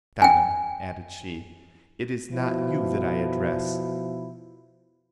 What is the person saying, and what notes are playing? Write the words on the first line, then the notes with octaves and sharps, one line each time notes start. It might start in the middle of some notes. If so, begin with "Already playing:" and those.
Ganem," added she, "it is not you that I address!
G5 G#5
B2 F3 E4